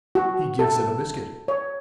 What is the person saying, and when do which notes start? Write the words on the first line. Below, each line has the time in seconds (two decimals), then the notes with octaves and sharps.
He give it a biscuit.
0.15 F#4
0.59 A4
1.48 C#5